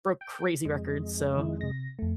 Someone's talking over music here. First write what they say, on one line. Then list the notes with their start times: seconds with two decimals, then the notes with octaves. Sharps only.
broke crazy records, so
0.21 G5
0.65 F2 G#3
1.37 D#3 E4
1.61 C3 A#6
1.99 F2 A3